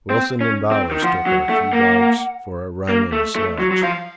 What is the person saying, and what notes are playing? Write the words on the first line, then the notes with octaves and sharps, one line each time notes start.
Wilson and Bowers took our few dogs for a run in a sledge.
C4
C#4
C4
D#3
F3 F#5
F#3
A3
A#3
A#3
A3
A3
F#3
F#3
F3 F5